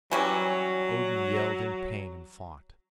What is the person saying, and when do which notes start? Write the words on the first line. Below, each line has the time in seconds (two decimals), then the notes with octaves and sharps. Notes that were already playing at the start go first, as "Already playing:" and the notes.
Odin yelled in pain and fought.
0.11 E3 F#3 G3 C#4